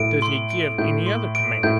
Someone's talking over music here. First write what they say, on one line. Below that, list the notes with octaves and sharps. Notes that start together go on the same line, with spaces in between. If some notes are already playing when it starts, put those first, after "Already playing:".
Does he give any other command?
Already playing: A2 D7
C6
D7
A2 G6
C6
D7
A2 G6